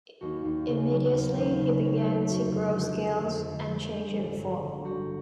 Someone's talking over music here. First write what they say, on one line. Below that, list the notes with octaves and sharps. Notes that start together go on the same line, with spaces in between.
Immediately he began to grow scales and change in form.
D#2 F#4
D#2
C#3 G#4
F#3
D#2 A#4
D#2 C5
C#3 B4
F#3 B4
C5
A3 B4
F2 F#4
D3 F4
F3 G4
A3
F2
D3
F3
G3 G#4
A1
G2
D3
G3 F#4